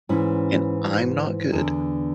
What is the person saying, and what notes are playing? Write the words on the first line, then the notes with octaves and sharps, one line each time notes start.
and I'm not good
G#2 E3 C#4 E4
E2 D3